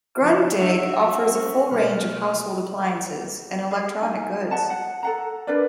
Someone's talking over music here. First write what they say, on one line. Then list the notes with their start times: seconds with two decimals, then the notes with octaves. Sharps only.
Grundig offers a full range of household appliances and electronic goods.
0.22 C#3 F3
0.59 D4 D#4 F#4 D#5 E5
1.32 C#4 C5 C#6
1.71 B2 G3 A3 F6 F#6
3.71 G#4
4.02 D#4 G#5
4.51 D#5 F#5 A5
4.70 F#5
5.03 A4 F#5 A#5
5.47 D4 A#4 B4 D5